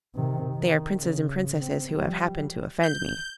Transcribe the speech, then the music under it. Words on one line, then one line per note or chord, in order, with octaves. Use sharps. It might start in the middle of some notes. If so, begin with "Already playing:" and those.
They are princes and princesses who have happened to offend me.
C3 D#3
D#3
C#3
C4
F3 G3
G6